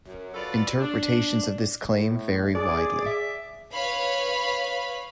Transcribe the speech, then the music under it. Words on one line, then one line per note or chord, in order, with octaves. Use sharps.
Interpretations of this claim vary widely.
F#2
F4 F#4 A4 B4 D5
D4
A2
G#4 D5
E5
B4 C#5 F5 B5